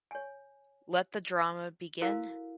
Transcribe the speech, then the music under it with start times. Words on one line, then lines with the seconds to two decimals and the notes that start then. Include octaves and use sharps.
Let the drama begin!
0.11 C#5 G#5
2.01 E4 F#4 A4 A#4 C5 F5